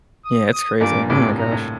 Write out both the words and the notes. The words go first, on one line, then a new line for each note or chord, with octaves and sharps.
Yeah, it's crazy. Oh my gosh.
D#6
D#6
G2 A#2 D6
A2 C3 D6
A#5
A2